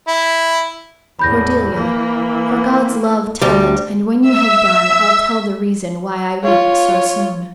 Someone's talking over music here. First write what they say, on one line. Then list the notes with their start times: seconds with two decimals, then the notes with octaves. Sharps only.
Cordelia: "For God's love tell it, and when you have done I'll tell the reason why I weep so soon."
0.08 E4
1.19 E2 A2 B5 G6 A#6
1.73 E3 A#3
3.41 D2 G3
4.21 E5 E6
6.43 F4 C#5